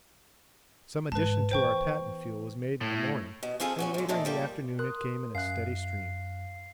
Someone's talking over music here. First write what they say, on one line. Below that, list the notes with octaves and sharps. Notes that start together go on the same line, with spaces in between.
Some addition to our patent fuel was made in the morning, and later in the afternoon it came in a steady stream.
G#2 D#3 B4 A5
E3 B3 C5 G5 C#6
A2
B2
F3 C4 F4 G#4 A4
E2 C#4 F#4
G#2 D3
A#2 D#3 A3 D4 A5
F3 G3 A#3
A#4 C6 D#6 F#6
F#2 F5 F#6 C7